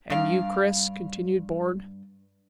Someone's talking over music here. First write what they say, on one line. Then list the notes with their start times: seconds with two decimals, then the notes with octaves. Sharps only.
"And you, Chris?" continued Bourne.
0.10 G2 F5